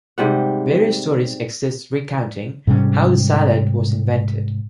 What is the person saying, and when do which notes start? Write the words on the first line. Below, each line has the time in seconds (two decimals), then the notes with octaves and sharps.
Various stories exist recounting how the salad was invented.
0.18 G#2 C3 G3 F#5
2.67 G#2 C3 G3 C#4